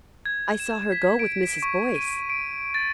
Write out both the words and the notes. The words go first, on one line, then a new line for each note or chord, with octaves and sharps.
"I saw her go with Mrs. Boyce."
G#6
E7
B6
D7
C#6
D#7
D7
A6